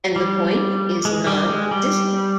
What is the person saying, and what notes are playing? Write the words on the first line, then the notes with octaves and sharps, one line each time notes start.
And the point is non-existent.
G3
G#3
G3
G#3
G3